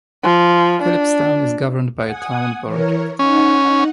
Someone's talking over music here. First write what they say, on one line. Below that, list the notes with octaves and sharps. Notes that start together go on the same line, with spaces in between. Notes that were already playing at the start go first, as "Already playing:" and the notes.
Philipstown is governed by a town board.
F3
D4
F#5 G#5 D#6
E3 A#4 C#5
C#4 D#4 F#5